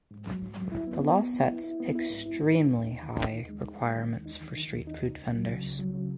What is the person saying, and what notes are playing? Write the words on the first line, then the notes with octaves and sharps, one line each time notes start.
The law sets extremely high requirements for street food vendors.
G#2
F#3
G#2
F#3
E4
B3
B3
B3
B3
E4
E4
B3
E4
G#2
E4
G#2
D#4
D#2
D#4
D#3
D#4
D#2
G#3
D#4
D#4
D#3
D#2
D#4
D#3
D#3
D#2
D#4
C#2
C#2
F#3
C#3
C#2
F#3
C#3